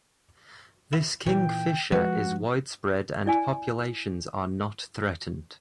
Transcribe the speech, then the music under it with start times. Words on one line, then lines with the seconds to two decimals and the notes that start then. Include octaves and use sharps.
This kingfisher is widespread and populations are not threatened.
0.93 E4
1.27 A#2 E3 C#5 G5
1.92 F3 G#3 F#4 B4
3.26 E4 D5 G#5